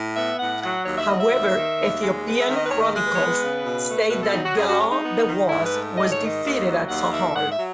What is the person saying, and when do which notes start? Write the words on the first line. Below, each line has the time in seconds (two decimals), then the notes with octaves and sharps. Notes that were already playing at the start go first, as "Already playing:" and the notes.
However, Ethiopian chronicles state that Gelawdewos was defeated at Sahart.
Already playing: A2
0.16 B3 E5
0.39 A2 F#5
0.62 F#3 F#5
0.85 D#2 C#5
0.97 E5
1.09 F#3 D#5
1.20 E5
1.32 D#2
1.55 D#3
1.78 D#2
2.02 G#3
2.25 B3
2.40 E5
2.48 D#3
2.56 D#5
2.66 B4
2.71 D#2 C#5
2.83 D#5
2.94 G#3
3.06 B4
3.15 B3 C#5
3.24 B4
3.41 C#3
3.64 B2
3.87 A3
4.10 B2 B4
4.22 A4
4.33 F#3 D#4
4.45 F#4
4.57 F#2 G#4
4.68 F#4
4.80 G#3 C#4
4.91 D#4
5.03 B3
5.26 D#3
5.49 G#2 E4
5.65 B4
5.73 A3
5.96 G#2 D#5
6.12 C#5
6.19 D#3
6.27 D#5
6.42 D#2
6.65 F#3
6.89 D#2 F#5
7.12 D#3 E5
7.35 G#2 F#5
7.51 E5
7.58 F#3